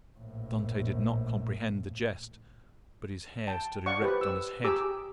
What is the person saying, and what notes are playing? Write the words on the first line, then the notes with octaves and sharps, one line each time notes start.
Dantes did not comprehend the jest, but his hair stood erect on his head.
A#1 A2
G5 A5
D5 F5 F#5 C#6
G4 B4 C5
E6
G4 G#4 A#5 D6 E6